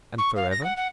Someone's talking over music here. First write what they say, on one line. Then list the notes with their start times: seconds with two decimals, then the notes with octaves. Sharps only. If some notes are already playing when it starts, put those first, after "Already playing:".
And forever?
0.18 C#6
0.36 F5
0.51 A#6
0.63 F#5
0.76 F#5